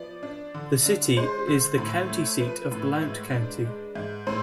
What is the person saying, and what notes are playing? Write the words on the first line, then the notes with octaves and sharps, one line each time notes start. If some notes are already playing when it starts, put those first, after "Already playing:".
The city is the county seat of Blount County.
Already playing: F3 B3 D5
D4
D3
D4
G#3 C5
D3
A2
A3
F3 B4
A2
G#2
D4
G#3
G#2
A2 C5